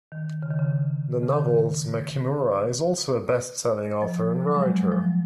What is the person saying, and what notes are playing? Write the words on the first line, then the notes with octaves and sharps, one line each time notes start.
The novel's Makimura is also a best selling author and writer.
D#3
C#3
D#3
C#3
C#3
D#3
F3
F#3
G#3
F#3
F3